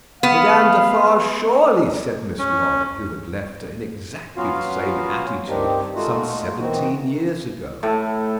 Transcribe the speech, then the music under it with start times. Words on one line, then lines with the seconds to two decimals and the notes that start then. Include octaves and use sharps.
"Madame Defarge, surely!" said Mr. Lorry, who had left her in exactly the same attitude some seventeen years ago.
0.23 B3 F5
2.39 C#4
4.37 F#3 B3 C#4 F4 F#4 F5
5.48 G2 D#3 C4 D4 D#4 G4
5.95 G#3 A3 D#4 F4 F#4
6.60 D#3 E3 C4 D#4 F#4
7.83 A2 A3